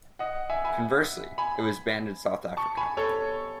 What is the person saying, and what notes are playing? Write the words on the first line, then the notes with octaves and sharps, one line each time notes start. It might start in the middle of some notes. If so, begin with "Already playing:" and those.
Conversely, it was banned in South Africa.
D#5 F#5
E5 G#5
G#5 B5
G#5 B5
A5 C#6
G#5 B5
A4 C#5